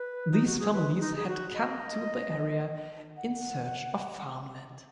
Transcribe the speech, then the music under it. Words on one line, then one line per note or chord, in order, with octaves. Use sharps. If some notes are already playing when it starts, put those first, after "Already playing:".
These families had come to the area in search of farmland.
Already playing: B4
D#4
F#4
G#4
B4
D#4
G#4
F#4
D#5
F#5